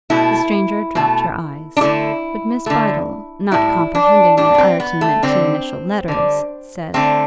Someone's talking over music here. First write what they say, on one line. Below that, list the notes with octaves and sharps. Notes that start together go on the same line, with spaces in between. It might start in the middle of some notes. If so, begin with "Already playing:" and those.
The stranger dropt her eyes, but Miss Bydel, not comprehending that Ireton meant two initial letters, said.
B2 A3 E4
B2 A3
D4
D3 A3 E4
D3 A3
A2 G3 E4
D4
A2 G3 D4
B3
C4
B3
A3
D3 G3 C4
D3 G3
D3 A3 C4